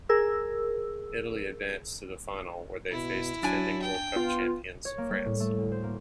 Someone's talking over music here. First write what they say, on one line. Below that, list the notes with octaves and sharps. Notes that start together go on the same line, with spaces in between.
Italy advanced to the final where they faced defending World Cup Champions France.
G#4 A#4 E6
B2 E4
F#3 D4 G#5
G5
B3 F4
C#5
A#3
G3
A2
A3
D2
C5
A#3